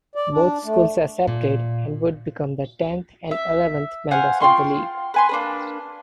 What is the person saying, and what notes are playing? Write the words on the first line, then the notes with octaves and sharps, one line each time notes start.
Both schools accepted and would become the tenth and eleventh members of the league.
D5
D4
A3
A#2
E5
C5 F5 F#5 G#5
F4 G5 C6 C#6
B4 G#5 C6
A#3 D4 B4